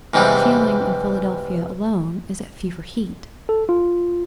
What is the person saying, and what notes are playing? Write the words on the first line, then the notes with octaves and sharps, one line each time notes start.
"The feeling in Philadelphia alone is at fever heat."
E2 G#2 C3 E3 G3
A4
F4